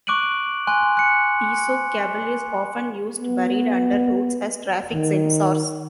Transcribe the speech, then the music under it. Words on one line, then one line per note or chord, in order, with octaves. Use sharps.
Piezo cable is often used buried under roads as traffic sensors.
C#6 D6 F#6 D7 D#7 F#7
G#5 C6 F#6
F#6 C#7
B3
D#3